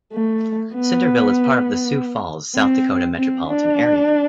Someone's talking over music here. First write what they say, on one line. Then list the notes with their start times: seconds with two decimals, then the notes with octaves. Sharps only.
Centerville is part of the Sioux Falls, South Dakota metropolitan area.
0.13 A3
0.74 B3
2.55 C4
3.17 C4
3.47 D4